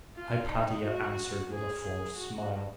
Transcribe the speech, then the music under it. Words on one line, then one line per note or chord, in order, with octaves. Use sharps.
Hypatia answered with a forced smile.
F4
D#4
F#4
G#4
G#4
F#4